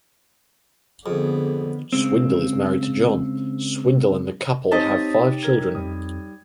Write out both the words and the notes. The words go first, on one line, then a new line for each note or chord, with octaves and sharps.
Swindle is married to Jon Swindle and the couple have five children.
F2 D3 B3 G#4
C#3 G#3 C4
C4 D#4 G4 C#5 D#5 A5
A#4 G#6
F2 G3 D#6